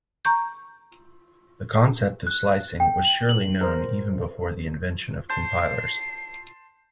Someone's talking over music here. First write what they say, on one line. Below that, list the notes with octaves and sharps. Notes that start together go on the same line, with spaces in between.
The concept of slicing was surely known even before the invention of compilers.
A#5 C#6 G6
F#6
G5
F#7
A#4 C5
A5 C6 G6 C7